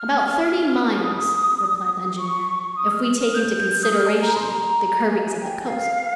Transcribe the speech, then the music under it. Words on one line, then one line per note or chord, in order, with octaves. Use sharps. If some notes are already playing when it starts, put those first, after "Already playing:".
"About thirty miles," replied the engineer, "if we take into consideration the curvings of the coast."
Already playing: F6
D#6
C#6
D#6
F6
F6
G6
D#6
F6
G#5
A#5
C6
A#5
G#5
G#5
G5
F5